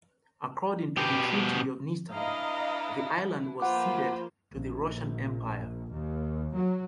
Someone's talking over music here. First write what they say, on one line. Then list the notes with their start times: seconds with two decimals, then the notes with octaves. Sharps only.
According to the Treaty of Nystad, the island was ceded to the Russian Empire.
0.97 B2 G4
2.11 D4 E4 B4 D#5 F5 A#5
3.60 F3 A#3 F4 B4 C5 F#5 D6
4.54 A#1
5.92 D#2
6.55 F#3